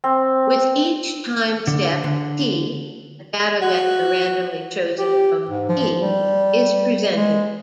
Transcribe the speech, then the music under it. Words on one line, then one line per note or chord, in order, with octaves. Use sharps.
With each time step "t" a data vector randomly chosen from "P" is presented.
C4
D3
D3
F#4
G4
G#2
F3
G3
G#3